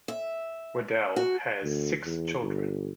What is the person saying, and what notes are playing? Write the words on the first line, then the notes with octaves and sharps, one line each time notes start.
Waddell has six children.
E5
F#4
D2
E2
G1